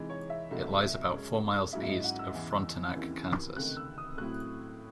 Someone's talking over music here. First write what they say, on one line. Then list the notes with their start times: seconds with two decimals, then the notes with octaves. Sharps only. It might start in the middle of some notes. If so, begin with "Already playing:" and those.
It lies about four miles east of Frontenac, Kansas.
Already playing: C3 E3 G#3 D#4
0.10 C#5
0.30 E5
0.51 C2 C3 F#3 A3 D#4
1.12 F#2 C#3 G#3 C#4
1.73 G#2 F#3 C#4 E4 E5
1.83 E5
1.89 D#5
2.04 F#5
2.19 E6
2.34 E2 C#3 E3
2.95 D#2 C#3 E3 C4 E4
3.56 C#2 C3 D#3 A3 F#6
3.77 E6
3.98 D#6
4.18 A2 F#3 C4 E4 F#6